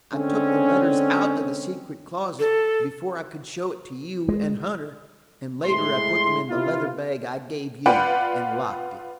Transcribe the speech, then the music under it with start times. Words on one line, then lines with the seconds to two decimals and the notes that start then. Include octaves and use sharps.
I took the letters out of the secret closet, before I could show it to you and Hunter, and later I put them in the leather bag I gave you, and locked it.
0.13 D3 G#3 C4 C#4
2.39 A4
4.29 G#3
5.65 A2 G#3 E4 C6
6.50 C3 E4 F4
7.86 F4 B4 D5 F#5 G5 B5